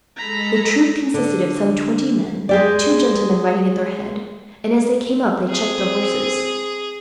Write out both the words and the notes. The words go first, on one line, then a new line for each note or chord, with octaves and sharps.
The troop consisted of some twenty men, two gentlemen riding at their head; and as they came up, they checked their horses.
G#3 A4 A#5 B5
D3
G#3 G4 D5
C4 G#4